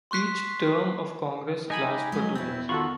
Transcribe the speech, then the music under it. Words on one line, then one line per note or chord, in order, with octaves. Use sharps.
Each "term" of Congress lasts for two years.
C6 C#6 F#6 B6 C7
G#3 D#4 G4 D#5 G#5 B5
F#3 G#3
E2 B3 C4 E4
D#3 F4 F#4 A4 B5 C#6